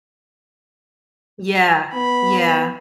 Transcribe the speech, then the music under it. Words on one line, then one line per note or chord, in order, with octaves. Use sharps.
Yeah, yeah.
B3 B5